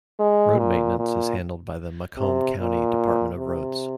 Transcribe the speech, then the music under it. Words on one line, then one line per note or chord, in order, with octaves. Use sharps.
Road maintenance is handled by the Macomb County Department of Roads.
G#3
A#2
A#2
C3
A#2
C3